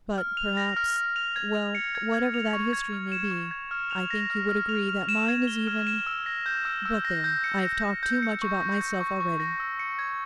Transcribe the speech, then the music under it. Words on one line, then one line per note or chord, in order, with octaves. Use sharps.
'But, perhaps--well, whatever that history may be, I think you would agree that mine is even--but, there, I've talked too much about myself already.
F6
F7
A#6
F6
F6
F7
G#6
F7
C#7
G#6
G#6
F7
C#6
G#6
F6
E7
C#6
G#6
F6
F7
A#6
F6
F6
F7
F6
E7
G#6
G7
F6
E7
E6
A#6
G6
E6
E6
A#6
G6
C#7
A#6
G6
G6
C#7
C#6
A#6
G6
C#6
C#6
A#6
E6
C#7
G#6